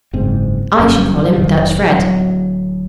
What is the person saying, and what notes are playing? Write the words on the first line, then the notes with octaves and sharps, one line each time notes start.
"I should call him Dutch Fred."
F#1 G#2 C4
F#1 G2 F#3 C#4
F1 A2 D#3 F#3
D1 F#3